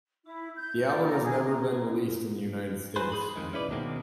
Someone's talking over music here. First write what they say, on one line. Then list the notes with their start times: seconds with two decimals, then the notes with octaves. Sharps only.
The album has never been released in the United States.
0.24 E4
0.56 G6
0.87 D5
1.07 A#5
1.22 G#4
1.45 A#5
2.96 G#2 G#4 B4 C5
3.12 G#4 B5
3.36 F2 D#3 G#3
3.53 C#4 E4 B4 D5
3.70 B2 D#3 G#3 A#3 C4